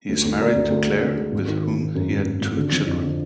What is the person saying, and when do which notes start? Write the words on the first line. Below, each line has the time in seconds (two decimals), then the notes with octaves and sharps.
He is married to Claire, with whom he had two children.
0.09 D2
0.25 D2
0.40 D2 A#4 D5
0.56 D2
0.70 D2
0.87 G#3
1.01 D2
1.17 G#3
1.32 G#1
1.48 D#3
1.64 D#3
1.79 D#3
1.95 F#2
2.11 G#1
2.25 G#1
2.41 G#1
2.57 D3
2.72 F3
2.87 F2
3.03 D3